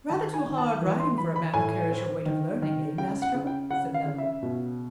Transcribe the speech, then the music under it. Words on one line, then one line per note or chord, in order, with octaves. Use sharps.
"Rather too hard riding for a man who carries your weight of learning: eh, Maestro?" said Nello.
D#3 A5
G#5
D#3
A5
E3
C6
E3 B5
B5
A2 G#5
C4
D#3
D#3
C#3 G5
F#5
C#3
G5
C#3 F#5
F5
C#3
E5
B2